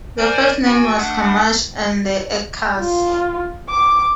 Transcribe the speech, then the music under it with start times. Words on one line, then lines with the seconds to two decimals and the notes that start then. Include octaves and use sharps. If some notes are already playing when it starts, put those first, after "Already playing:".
The first name was "Kamash and the Eckers".
0.17 A#4 C5 D5 G#5 G6
0.64 F#4 G5 G#5
0.97 A3 D4 F#5
2.79 F4
3.70 D6